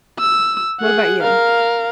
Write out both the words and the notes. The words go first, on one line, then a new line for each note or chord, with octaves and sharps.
What about you?
E6
G#4 F#5
A#4 F5